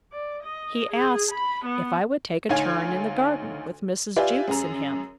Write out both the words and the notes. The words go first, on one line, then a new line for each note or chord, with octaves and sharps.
He asked, If I would take a turn in the garden with Mrs. Jewkes and him.
D5
D#5
G#4
B5
B3
D2 D#4 C#5 F5 G#5 G#6
F4 G4 B4 D5 E5 G#5
F#2 G#4 A#5